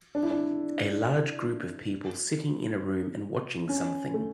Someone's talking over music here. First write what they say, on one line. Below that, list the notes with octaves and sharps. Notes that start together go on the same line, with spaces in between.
A large group of people sitting in a room and watching something.
D4
E4
D4
C#4
A3